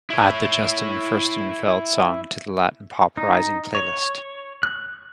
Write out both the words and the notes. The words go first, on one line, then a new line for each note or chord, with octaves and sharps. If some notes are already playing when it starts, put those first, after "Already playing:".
Add the Justin Furstenfeld song to the latin pop rising playlist.
E4 C#5
D#4
C#5
F#6